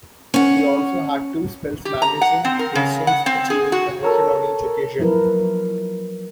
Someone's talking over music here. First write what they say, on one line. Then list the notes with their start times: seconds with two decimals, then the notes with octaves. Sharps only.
He also had two spells managing Hastings achieving promotion on each occasion.
0.34 C#4 F#5
1.85 G4
2.02 A#5
2.22 F#5
2.45 C4
2.59 A#4
2.75 C#3
3.07 F#5
3.26 C4
3.50 G#4
3.72 F#4
4.03 A4 A#4 C#5
4.99 F3 F#3 E4 A#4 B4